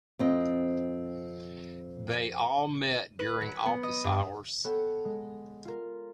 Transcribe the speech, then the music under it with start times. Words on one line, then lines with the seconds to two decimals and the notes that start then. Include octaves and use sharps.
They all met during office hours.
0.19 F2 C4 D#5
3.19 B4
3.41 F#3
3.66 B3
3.83 D#5
4.04 G2
4.64 B3 A4 C#5 F#5 G5
5.05 G#3
5.65 F4 A#4